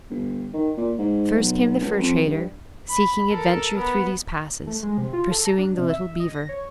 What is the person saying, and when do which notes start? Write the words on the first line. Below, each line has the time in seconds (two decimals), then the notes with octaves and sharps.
First came the fur-trader, seeking adventure through these passes, pursuing the little beaver.
0.10 G1
0.54 D#3
0.77 A#2
0.99 G#2
1.36 B1
1.81 C#2
1.98 F2
2.26 G2
2.89 B5
3.30 A4 A#4
3.78 B3
4.67 A3
4.83 G#3
4.98 C3
5.13 F4
5.31 A4
5.45 A#5
5.58 D4
5.77 C3
5.90 E5
6.20 D#5
6.33 A#6
6.49 C#5